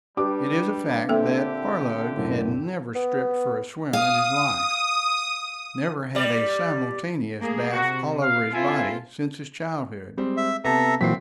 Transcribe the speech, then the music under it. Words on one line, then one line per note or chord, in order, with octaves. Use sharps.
It is a fact that Parload had never stripped for a swim in his life; never had a simultaneous bath all over his body since his childhood.
G3 D4 G4 B4 D6
A#2 D3 A#3 C4 G4 A4 E5
B1 F#2 A2
B3
F5 D#6
G3 D5
A3 A#3 G#4
C3 F#4
F5
C4 E4 F4 A4 G#5
G3 G#3 C4
E5
C3 B3 A4 E5 A5 A#5
A#2 E3 F#3 C4 B6 C7